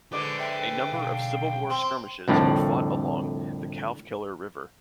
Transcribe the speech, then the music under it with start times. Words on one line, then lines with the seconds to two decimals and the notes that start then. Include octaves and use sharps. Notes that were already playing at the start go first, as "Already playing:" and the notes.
A number of Civil War skirmishes were fought along the Calfkiller River.
0.12 D3 G#3 B4 C5 D6
0.38 E5 G5
0.92 B1 F5
1.70 C4 C6
2.28 C2 F2 A2 D3